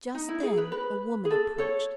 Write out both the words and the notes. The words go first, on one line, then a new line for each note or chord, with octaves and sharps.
Just then a woman approached.
D#4
E4
G#4
B4
B4
G#4
A4
A4 C#5